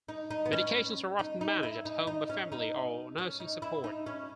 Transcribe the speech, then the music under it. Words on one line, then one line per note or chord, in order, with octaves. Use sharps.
Medications are often managed at home by family or nursing support.
D#4
D#4
B3
C#4
D#4
D#4
E4
D#4
D#4
C#4
D#4
C#4
D#4
E4
D#4
C#4